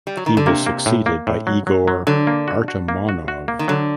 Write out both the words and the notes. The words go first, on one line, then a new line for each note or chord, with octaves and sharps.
He was succeeded by Igor Artamonov.
G3
F#3
D#3
D3
C3 A#3
A#3
A2
A#3
A2
F#3
F#3
F#3
D3 F#3
A#3
F#4
F#4
A#3
F#4
F#4
A#3
D#3
D3 F#3